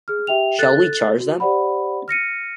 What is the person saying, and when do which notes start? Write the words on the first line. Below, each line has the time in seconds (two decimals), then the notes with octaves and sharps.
Shall we charge them?
0.08 G#4 F6
0.27 G4 E5 G5 F7
0.59 A4 F#6 A6
1.20 F#4
1.40 G4 C5 D5 F#5 B5
2.08 F6 A#6 C#7 D#7